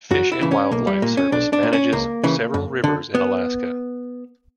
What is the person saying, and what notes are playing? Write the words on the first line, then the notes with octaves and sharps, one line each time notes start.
Fish and Wildlife Service manages several rivers in Alaska.
F#2 F#4
E4
C#3 E3
C#4
B1 A#3
G3
A#2 A#3
C#4
B1 D4
D4
A#2
C#4
C#2 A#3
C#3 E3
F#2
D3
B3